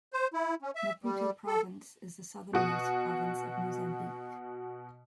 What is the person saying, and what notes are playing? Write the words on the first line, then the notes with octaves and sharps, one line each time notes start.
Maputo Province is the southernmost province of Mozambique.
C5
E4
C#4
E5
G3
A4
B2 F#4 D#6